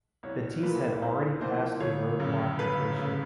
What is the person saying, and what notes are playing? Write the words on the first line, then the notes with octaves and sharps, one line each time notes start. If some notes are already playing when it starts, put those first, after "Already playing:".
Batisse had already passed a roadblock location.
C2 C#5
A#2 F3 A#3 B4
C2 C5
A#2 F3 A#3 C5
G1 C#5
F#2 C#3
G1 B4
C#3